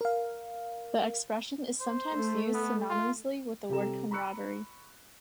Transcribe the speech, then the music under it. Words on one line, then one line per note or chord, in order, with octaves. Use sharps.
The expression is sometimes used synonymously with the word camaraderie.
A#4 F5
C5
A3
B3
F4
C3 G3 G4 A4 A#5 E7
A#5 B5 C#6 E6 F#6 C#7